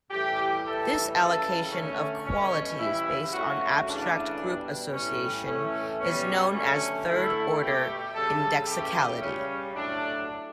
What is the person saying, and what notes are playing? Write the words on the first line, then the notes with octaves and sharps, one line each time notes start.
This allocation of qualities based on abstract group association is known as third-order indexicality.
A2 E3 G3 G4
A2 E3 G3 A4
C#3 E3 G3 A4
D3 A3 C#4
B2 G3 C#4
C#3 E3 G3 E4
C#3 F#3 A3 F#4
C#3 E3 A3 D4
B2 G3
A2 G3 C#4
A2 E3 A3 C#4
B2 G3 C#4
D3 F#3 A3 C#4
D3 A3 E4
B2 A3 G4
C#3 G3 A4
C#3 E3 A3 G4
C#3 G3 C#4
A2 F#3 A3 D4